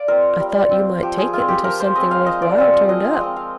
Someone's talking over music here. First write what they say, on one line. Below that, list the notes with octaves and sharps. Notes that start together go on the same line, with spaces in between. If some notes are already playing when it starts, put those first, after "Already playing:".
"I thought you might take it until something worth while turned up."
Already playing: D5 F5
C4 F4 A#4
G3
C4 F4
F3 G4
G#4
G#3 C4 F4
G4
F3 A#4
C5
G#3 C4 D#5
F5
F3 D#5
D5
G#3 C4 F5
D#5
F3 D#5
F5
G#3 C4 D#5
F5